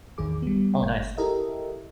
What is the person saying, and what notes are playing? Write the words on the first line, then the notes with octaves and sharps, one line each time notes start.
Oh, nice.
A1 E2 D#3 G#4 D6
G3 B3
G1
E4 G4 A4 A#4 D#5 E5